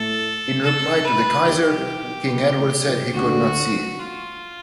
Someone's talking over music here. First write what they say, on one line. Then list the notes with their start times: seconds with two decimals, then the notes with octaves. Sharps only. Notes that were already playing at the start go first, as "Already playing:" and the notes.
In reply to the Kaiser, King Edward said he could not see it.
Already playing: A2 A3 A4
0.63 A4
1.04 B4
1.46 D#2 D#3 G4
1.75 C2 C3
2.02 B1 B2
2.30 A#1 A#2
2.58 A1 A2
2.87 A#1 A#2
3.14 D2 D3 F#4
3.99 F4